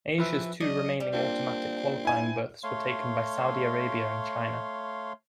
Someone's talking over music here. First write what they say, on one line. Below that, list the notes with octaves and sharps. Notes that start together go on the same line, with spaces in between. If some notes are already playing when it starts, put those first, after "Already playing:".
Asia's two remaining automatic qualifying berths were taken by Saudi Arabia and China.
E3 F3 B4 E5
F#3 D4 D#5
G3
A#3 C4 D4 F4
E4 G#5
A3 C#5 F5 C6